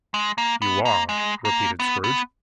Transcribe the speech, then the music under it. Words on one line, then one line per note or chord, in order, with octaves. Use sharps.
'You are!' repeated Scrooge.
G#3
A#3
B3
A#3
G#3
A#3
B3
B3